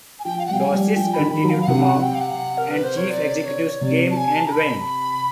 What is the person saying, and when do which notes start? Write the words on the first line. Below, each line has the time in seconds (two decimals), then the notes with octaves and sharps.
Losses continued to mount, and chief executives came and went.
0.19 G#5
0.25 F3 G5
0.39 F5
0.46 F#5
0.49 G3 G5
0.60 G#5
0.72 G3
0.96 F3 G5
1.14 B5
1.20 D#3
1.32 B5
1.43 F#3
1.50 F5
1.61 F5
1.67 C3 F#5
1.85 F#5
2.03 G5
2.15 F5
2.21 F#5
2.58 A#4
2.71 B4
2.84 C5
2.97 C#5
3.10 D5
3.46 C#5
3.81 C3 D5
4.11 A5
4.17 G#5
4.35 A5
4.46 A#5
4.53 B5